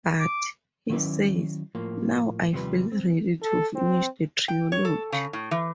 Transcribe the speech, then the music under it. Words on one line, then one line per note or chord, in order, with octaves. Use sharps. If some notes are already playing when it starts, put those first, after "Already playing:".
"But", he says, "now I feel ready to finish the trilogy".
D6
D#3 F#3 C#4 E4 B4 D5
A2 F3 A#3
D#2 C3 F3 G3 B4
C4
A4
C4
G5
C#5
A4
C#3
A2
E3